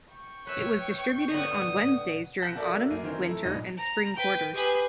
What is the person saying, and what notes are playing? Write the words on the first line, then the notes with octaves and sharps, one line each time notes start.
It was distributed on Wednesdays during autumn, winter, and spring quarters.
G5 C#6
B4 C#5 E5
D3 B3 D#6
F#5 A5 F#6 G6 A#6 B6
F#4 A4 A#4 D5 E5
F#2 A#3 D#7
D#3 E3 C4 C#4 F#4 A#4
F3 A3 E4 A#5
D#1 E2 G2 D#4 A#6 D#7
A#5
B4 G5
G4 G#4 B4